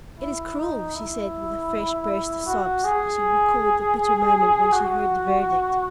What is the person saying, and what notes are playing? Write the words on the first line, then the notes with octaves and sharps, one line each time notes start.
"It is cruel!" she said with a fresh burst of sobs, as she recalled the bitter moment when she heard the verdict.
E4
D#4
E4
F#4
G#4
F#4